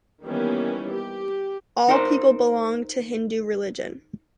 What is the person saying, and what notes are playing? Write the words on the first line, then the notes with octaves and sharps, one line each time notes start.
All people belong to Hindu religion.
D#3 E3 G3 A#3 B3 C#4
G4
D#4 A#4 C5